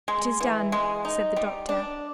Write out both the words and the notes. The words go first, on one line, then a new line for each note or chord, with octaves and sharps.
"It is done," said the doctor.
G#3
E3
G#3
D#4
G3
D4